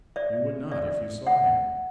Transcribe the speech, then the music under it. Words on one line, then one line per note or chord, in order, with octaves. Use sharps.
You would not if you saw him.
D5 E5
D5 E5
E5 F#5